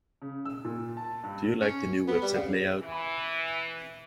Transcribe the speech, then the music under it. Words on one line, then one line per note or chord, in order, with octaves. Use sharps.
Do you like the new website layout?
C#3
E6
A#2
A5
G2
C#4
B3
G3
C#3
E3